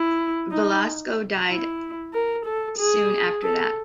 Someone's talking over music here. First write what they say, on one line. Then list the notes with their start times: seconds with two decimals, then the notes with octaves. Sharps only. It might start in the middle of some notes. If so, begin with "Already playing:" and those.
Velasco died soon after that.
Already playing: E4
0.52 D#4
1.48 E4
2.13 A#4
2.46 A4
2.78 G#4
3.43 A4